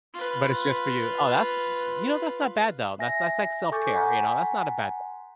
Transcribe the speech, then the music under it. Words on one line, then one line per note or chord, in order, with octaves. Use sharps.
But it's just for you. Oh, that's you know, that's not bad though, that's that's like self-care, you know, that's not a bad thing.
F4 B4
E5 G#5 A#6
A4 G#5 C#6 D6 G6 A6
F#5 G#5 A#5 C6 B6